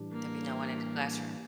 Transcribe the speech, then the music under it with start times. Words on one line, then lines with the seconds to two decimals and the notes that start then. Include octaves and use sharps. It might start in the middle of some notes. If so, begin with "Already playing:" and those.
there'll be no one in the classroom.
Already playing: A2 E3 G3 D4 G4
0.12 A#3